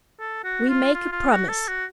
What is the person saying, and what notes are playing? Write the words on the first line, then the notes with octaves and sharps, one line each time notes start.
We make a promise.
A4
F#4
F4
F4
F4
F#4
A4
F#4